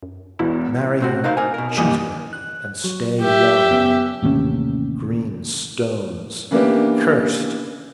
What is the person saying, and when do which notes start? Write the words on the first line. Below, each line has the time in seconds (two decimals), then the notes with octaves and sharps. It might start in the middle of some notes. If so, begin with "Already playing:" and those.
Marry her, cheat her, and stay young. Green stones, accursed.
0.03 F#2
0.39 E1 E2 E4
1.01 A2 C4 F#4
1.24 D#4 A#4 C5 F5
1.37 A#4 G#5
1.54 B2 A#4
1.77 F#2 D#3 G3 A#3 D#5 G#5
2.33 F#6
2.84 F#3
3.20 G4 E5
3.71 F#2 C#3 B3
4.23 A1 D#2 C3 C#4
6.51 C#3 E3 A#3 B3 D4 G4